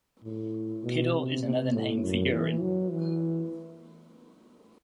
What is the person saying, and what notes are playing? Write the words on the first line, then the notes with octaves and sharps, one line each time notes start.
Piddle is another name for urine.
A2
B2
C3
C3
A2
F#2
E3
F#3
E3